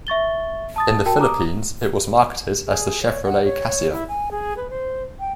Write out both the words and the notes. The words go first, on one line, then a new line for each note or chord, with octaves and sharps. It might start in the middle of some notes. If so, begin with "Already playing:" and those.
In the Philippines, it was marketed as the Chevrolet Cassia.
E5 C#6 A6 G7
A5 D#6 A6
F#4 A#4 G5 A5
A#5 D6 D#6
G#4
C#5
F#5
C#5
E4
G#5
G#4
B4
C5
G5